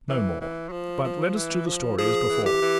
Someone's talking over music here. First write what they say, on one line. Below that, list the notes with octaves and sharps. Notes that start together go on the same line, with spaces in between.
No more; But let us to the story as before.
E3
E3
F#3
F3
F3
E3
F3
F3 G#4
E3
G4
E3